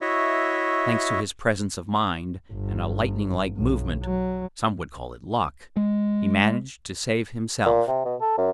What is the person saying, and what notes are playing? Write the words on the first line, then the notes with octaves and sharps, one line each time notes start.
Thanks to his presence of mind and a lightning-like movement -- some would call it luck -- he managed to save himself.
E4 F#4 C#5 D#5 E5
G1
B1
F#3
G#3
A#2
C3
B2
A4
F#2